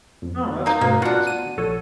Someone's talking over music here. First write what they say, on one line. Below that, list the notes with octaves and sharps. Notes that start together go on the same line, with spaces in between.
Oh, that's good, that's good.
F2
A#3 D#4
G2 B2 A3 A#3
B3 D4 F4 F#4 F#5
D#7
A#1 A4 C#5